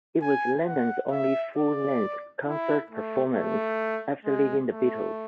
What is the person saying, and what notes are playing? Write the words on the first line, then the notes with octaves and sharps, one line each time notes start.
It was Lennon's only full-length concert performance after leaving the Beatles.
G#5
F#5
E5
D5
E4
A3
A3
G#3
A3